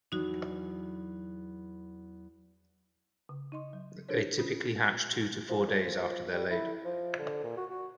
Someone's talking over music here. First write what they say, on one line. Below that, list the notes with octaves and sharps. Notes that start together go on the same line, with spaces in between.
They typically hatch two to four days after they are laid.
E2 F#3 D#4 F#4
C#3
D#4 D#5 C6
F#3
D4 G4 A4 A#4 C5 C#5
C#4 F4
F3
F#2
F3
G3
E4
F3
D3
A#2
F#4
F#4